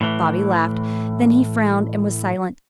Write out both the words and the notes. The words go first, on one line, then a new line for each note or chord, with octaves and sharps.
Bobby laughed; then he frowned and was silent.
A2 E3